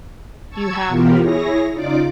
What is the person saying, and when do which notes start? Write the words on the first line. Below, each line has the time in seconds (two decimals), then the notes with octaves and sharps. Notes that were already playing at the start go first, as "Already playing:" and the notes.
you have to
0.49 A5 C#6 E6 G#6
0.87 B2 E3 B3 F4 G4 A#4
1.20 E4 G#4 C#5 A#6
1.73 C#3 D#4 F4 D5 D6